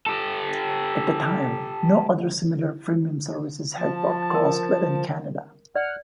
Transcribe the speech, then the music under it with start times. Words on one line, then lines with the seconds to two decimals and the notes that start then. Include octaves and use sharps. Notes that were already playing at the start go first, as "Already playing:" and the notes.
At the time, no other similar premium services had broadcast within Canada.
0.06 G4 A4
3.78 F3 A5
4.30 A#4 C6
5.76 D5 F#5 F6